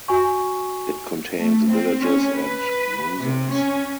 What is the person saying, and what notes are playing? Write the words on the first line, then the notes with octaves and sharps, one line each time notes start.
It contains villages and mouzas.
F#4 G#5 C#6
A3
C4
C#4
B4
C3
C#4